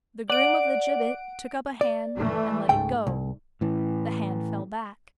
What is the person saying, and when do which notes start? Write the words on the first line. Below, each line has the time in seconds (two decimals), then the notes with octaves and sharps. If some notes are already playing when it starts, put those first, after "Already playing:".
The groom of the gibbet took up a hand and let it go; the hand fell back.
0.30 D5 F#5 D7
1.81 D5
2.17 E3 A3
2.69 C#2 G#2 G5
3.07 C2
3.61 A2 E3